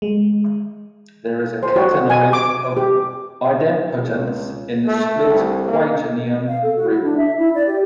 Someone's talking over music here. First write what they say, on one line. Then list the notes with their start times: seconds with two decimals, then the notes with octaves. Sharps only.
There is a catenoid of idempotents in the split-quaternion ring.
0.02 G#3
1.63 C5
1.76 F#4
2.10 G#5
2.33 D6
2.77 G4
4.05 C#2
4.86 A3
5.25 C2
5.68 A#3
6.48 F5
6.63 A4
6.76 F#4
6.90 E4
7.03 D4
7.17 E5
7.38 E4
7.55 D5
7.67 G4